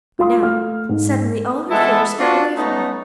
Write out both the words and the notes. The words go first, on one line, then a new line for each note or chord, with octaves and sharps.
But now suddenly all her fears fell away from her.
F4 F5 C6 D#6
A3 F5 F6
G#2
E3 G#3 B3 E4 A4
D4 F4 F#4
A3 B3 C#4 D#4